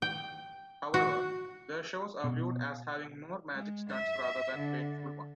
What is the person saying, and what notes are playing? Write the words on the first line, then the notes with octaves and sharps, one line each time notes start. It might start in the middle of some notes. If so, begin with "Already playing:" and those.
However, their shows are viewed as having more 'magic' stunts rather than painful ones.
G5
F#4
B2
G#3
E5
D3